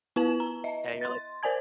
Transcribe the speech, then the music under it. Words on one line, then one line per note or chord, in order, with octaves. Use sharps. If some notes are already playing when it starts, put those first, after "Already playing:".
And you're like
B3 E4 B4 A5 E7 F#7
A#5
D#5 E5
C6 A6
A#4 C5 D5 G#5 A5 G#6